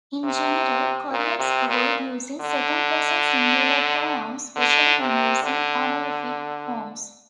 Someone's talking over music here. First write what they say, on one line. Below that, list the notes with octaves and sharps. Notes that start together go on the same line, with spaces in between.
In general, Koreans avoid using second person singular pronouns, especially when using honorific forms.
C3
A#2
C3
A#2
D3
D3
C3
D3